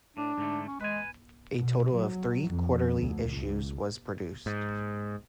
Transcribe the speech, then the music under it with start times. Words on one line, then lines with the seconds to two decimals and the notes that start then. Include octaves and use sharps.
A total of three quarterly issues was produced.
0.17 A2 D4
0.38 G#2 D3 A3
0.68 C#4
0.81 G#3 B4 G#5
1.58 B2
1.96 F#3
2.48 F2
2.98 D2
3.32 C#2
4.46 G#2